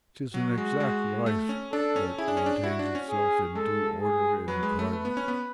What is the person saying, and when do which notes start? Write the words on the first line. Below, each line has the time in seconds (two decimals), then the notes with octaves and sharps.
'Tis an exact life that maintains itself in due order in private.
0.34 F#3 F#4
0.58 G#3
0.80 G#3
1.26 A3
1.49 C#4
1.72 D4 A4
1.96 C#4
2.18 E4 G#4
2.28 D4
2.37 C#4
2.46 D4
2.64 E4 F#4
2.79 D4
2.95 C#4
3.09 G#4
3.55 G#3 A4
4.01 G#4
4.48 F#3 B4
4.63 G#3
4.79 A3
4.93 A3 B4
5.05 B3
5.17 C#4
5.28 B3